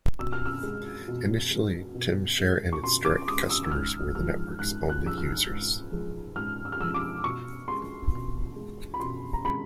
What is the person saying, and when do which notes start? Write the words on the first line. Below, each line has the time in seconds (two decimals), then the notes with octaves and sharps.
Initially, Tymshare and its direct customers were the network's only users.
0.19 B2 E6
0.33 F6
0.46 E6
0.63 G#3
1.08 B2
1.51 G#3
1.95 B2
2.40 G#3
2.73 C#6
2.83 B2 C6
3.05 D6
3.28 G#3 D#6
3.49 E6
3.64 E6
3.71 G#2 F6
4.15 F3 G#3 F6
4.59 G#2 F#6
4.89 F#6
5.04 F3 G#3 E6
5.18 F6
5.48 G#2
5.92 F3 G#3
6.36 G#2 F6
6.65 E6
6.72 F6
6.80 F3 G#3 E6
6.94 D6
7.24 B2 C#6
7.68 G#3 C6
8.12 B2
8.56 G#3
8.94 B5
9.00 B2 C6
9.33 A#5
9.45 G#3 B5